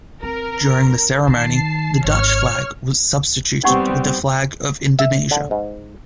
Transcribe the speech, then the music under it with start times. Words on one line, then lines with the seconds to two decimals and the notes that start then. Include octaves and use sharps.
During the ceremony, the Dutch flag was substituted with the Flag of Indonesia.
0.23 C4 A#4
1.28 D#3 A5 C7
2.05 G#1 C#5 F6
3.64 G3 B3 C4 D#4 F#5 C#6
4.99 E5
5.31 D3
5.51 G#2